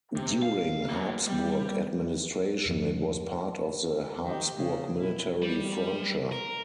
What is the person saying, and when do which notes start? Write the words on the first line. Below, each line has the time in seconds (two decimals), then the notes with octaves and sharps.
During Habsburg administration, it was part of the Habsburg Military Frontier.
0.16 C3
0.42 F5
0.90 A#3 F#4
1.28 G3
2.65 E2 G2 F3
4.24 D#3 G4
4.56 C#3
4.98 B2 E4
5.42 G3
6.32 A#4